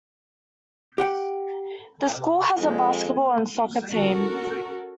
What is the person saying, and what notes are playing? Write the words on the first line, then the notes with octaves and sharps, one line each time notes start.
The school has a basketball and soccer team.
G4 F#5 G5
F2 G#3
C#4 F#4 A4 A#4